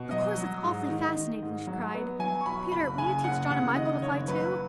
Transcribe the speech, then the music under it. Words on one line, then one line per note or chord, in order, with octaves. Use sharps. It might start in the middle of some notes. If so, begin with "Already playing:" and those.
"Of course it's awfully fascinating!" she cried. "Peter, would you teach John and Michael to fly too?"
Already playing: B2
F#3 D#5
F#3
G#2
D#3
D#3
G#2
F#3
B3
F#3 G#5
C#6
B1 B5
F#1 B5
C#3 G#5
F#1 F#5
C#3 F#5
D#3 D#5
F#1 C#5
F#3 B4